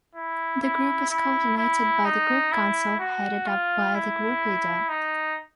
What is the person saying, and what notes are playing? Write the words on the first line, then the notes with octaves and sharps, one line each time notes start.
The Group is coordinated by the Group Council, headed up by the Group Leader.
E4
E4
E4
E4
D#4
E4
F#4
F4
E4
D#4